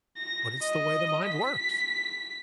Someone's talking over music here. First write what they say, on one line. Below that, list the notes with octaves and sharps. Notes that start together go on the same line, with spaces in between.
But it's the way the mind works.
A#6
D#5
B6